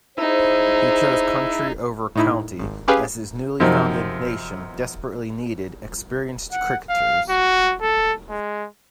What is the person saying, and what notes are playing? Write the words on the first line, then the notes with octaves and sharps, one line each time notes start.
He chose country over county, as his newly founded nation desperately needed experienced cricketers.
D#4 E4 G#4 C5
A2 D#4 E4
G#1
C#4 G4 G#4 B4 F5 G#5
F#2 C3 F3 D#4
F#5
F5
F#4
A4
G#3